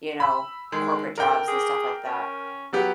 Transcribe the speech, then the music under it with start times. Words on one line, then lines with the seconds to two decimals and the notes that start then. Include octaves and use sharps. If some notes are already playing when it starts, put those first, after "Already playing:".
you know, corporate jobs and stuff like that.
0.20 B5 E6
0.72 D#3 G#3
1.18 D3 A#4 G5
1.48 G#4
2.05 C#4
2.73 F#3 B3 G4